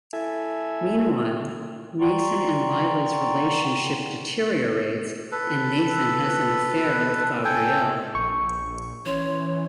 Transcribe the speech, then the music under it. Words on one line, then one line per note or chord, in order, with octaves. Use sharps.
Meanwhile, Nathan and Lila's relationship deteriorates and Nathan has an affair with Gabrielle.
E4 A4 E5 G#5
D5 F#5 G5 A#5 C6 C#6
A4 B4
A4 G5 G#5
A#1 C#6
E3 C#4 C#5 C6